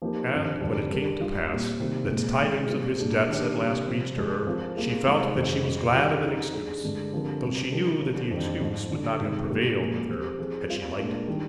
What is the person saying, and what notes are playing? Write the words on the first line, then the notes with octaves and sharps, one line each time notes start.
And when it came to pass that tidings of his debts at last reached her, she felt that she was glad of an excuse, though she knew that the excuse would not have prevailed with her had she liked him.
F3 A#3 D#4 G4 A#4
G2 F3 C4 G4
F2 D3 G3 D4
G3 D4 G4 A#4
G3 D4 F4
A#2 G3 C4 G4
C3 D#3 G3 A#3
A#2 G#3 C4
C3 D#3 G#3
C3 G3 A#3 F4
A#2 G3 D4 G#4
D#3 A#3 D4 G4
C3 G3 A#3 D4 G4
C3 F3 C4
G2 F3 G#3 D4 G4
F3 C4 F4 A#4
G3 A#3 F4 G#4
C3 F3 G#3 D#4 G#4
F2 C3 D#3 G#3 C4
F2 D#3 G3 C4
D#3 G3 C4 F4
G3 C4 D#4
G3 D4 G#4
G2 D3 G#3 D4
D3 F3 C4 G4 A#4
C3 G3 C4
G3 D4 G4 A#4
D3 F3 C4
F2 D#3 G3 D4
G#2 F3 G#3
D3 G3 D4
C3 D#3 G#3 D#4
A#2 G3 D4 G4 A#4
A#2 F3 G#3
F3 C4 G4
F3 C4 F4 G#4
G3 C4 F4
A#2 G#3 D4 F4 A#4
D#3 G3 D4